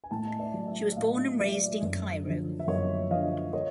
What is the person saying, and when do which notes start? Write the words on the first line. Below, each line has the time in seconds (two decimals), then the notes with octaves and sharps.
She was born and raised in Cairo.
0.04 G#5
0.11 A2 G5 A5
0.27 D#5
0.39 D5 E5
0.54 F#3
0.67 D5 E5
0.92 E5
0.96 A2 D#5 F5
1.39 F#3 D5 E5
1.82 F#2
2.25 D3 F3
2.59 E5
2.67 F#2 C#5 D#5
3.11 D3 F3 D#5 F5
3.53 C#5 D#5